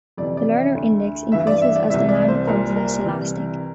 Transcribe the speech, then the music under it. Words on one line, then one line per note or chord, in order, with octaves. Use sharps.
The Lerner index increases as demand becomes less elastic.
F2 C3 E3 D5
D5
E5
D2 D3
G2 E3 E5
D5
E5
D5
C2 C3 E3 E5
D5
C5
C2 A#2 A#4
A#4
C2 C3 E3